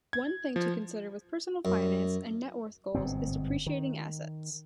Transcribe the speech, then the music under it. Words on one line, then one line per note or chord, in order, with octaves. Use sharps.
One thing to consider with personal finance and net worth goals is depreciating assets.
G#6
F3
F#2
G1 G#2 B2 C4
D#3